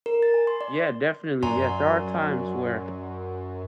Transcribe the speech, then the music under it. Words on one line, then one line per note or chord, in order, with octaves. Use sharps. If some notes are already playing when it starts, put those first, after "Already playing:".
Yeah, definitely. Yeah, there are times where
A#4
A6
G#5
C6
D5
F#2 F#3 D4 G#5 A#5 C6